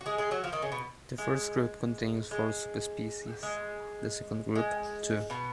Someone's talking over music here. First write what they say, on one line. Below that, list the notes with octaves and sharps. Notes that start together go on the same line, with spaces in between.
The first group contains four subspecies, the second group two.
F#4
G#3 G#4
G#3 G#4
F#3 F#4
F3 F4
D#3 D#4
C#3 C#4
B2 B3
G#3
G#3
G#3
G#3
B2 B3